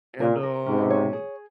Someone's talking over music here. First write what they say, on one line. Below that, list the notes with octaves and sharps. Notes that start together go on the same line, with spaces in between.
and, um,
A#2 A#4
A#4
G#2 C3 C#4
C#5
G#4